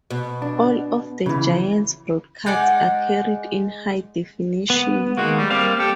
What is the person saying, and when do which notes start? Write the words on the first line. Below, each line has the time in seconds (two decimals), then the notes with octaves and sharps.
All of the Giants broadcasts are carried in high definition.
0.11 B2
0.42 D4
1.26 C#3 E3
2.46 G#3 D#4 D5 F#5
4.70 B3
5.18 D#3 G#3 A#3 F#4
5.38 G3
5.50 G3 A#3 C4 F5
5.80 G4 A4